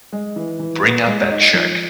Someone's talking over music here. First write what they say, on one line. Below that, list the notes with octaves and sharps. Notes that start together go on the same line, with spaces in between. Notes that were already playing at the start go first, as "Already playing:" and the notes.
bring out that check,
G#3
E3
E3
B3
G#3
D#4
F3